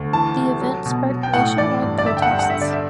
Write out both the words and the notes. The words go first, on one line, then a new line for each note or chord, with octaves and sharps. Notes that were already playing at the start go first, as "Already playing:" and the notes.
The event sparked nationwide protests.
Already playing: D2
E3 A5
C3
F#3
B2
F#3
G5
A2 F#5
E3 D5
G2
D5
D3 E5
G5
F#5
G2
F#5
E5
D3
D5
E5